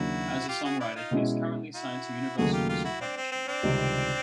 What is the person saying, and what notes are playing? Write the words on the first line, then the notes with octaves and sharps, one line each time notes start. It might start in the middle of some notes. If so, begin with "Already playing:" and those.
As a songwriter he is currently signed to Universal Music Publishing.
Already playing: D#2 C#3 F#3 A#3 D4 E4 F#4
F4 G4
F#4 G#4
D4 E4
D#4 F4
B2 G#3 C#4 E4
E4 F#4
D#2 C#3 F#3 A3 F#4 G#4
F4 G4
F4 G4
E4 F#4
C4 D4
C4
C4
C4 D4
C#2 C3 D#3 G3